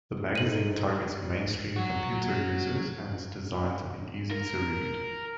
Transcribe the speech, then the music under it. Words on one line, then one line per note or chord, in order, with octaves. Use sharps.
The magazine targets mainstream computer users and is designed to be easy to read.
A1 G2
G#2 A4 C5 D#7 F#7
F#3 F#4
A#4